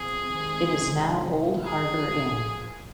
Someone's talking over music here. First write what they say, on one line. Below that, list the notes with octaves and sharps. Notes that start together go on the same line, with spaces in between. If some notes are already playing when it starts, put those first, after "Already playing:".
It is now Olde Harbour Inn.
Already playing: A#2 F3 C4 G#4
C3 D#3 G#3 C4
A#2 F3 A#3 G#4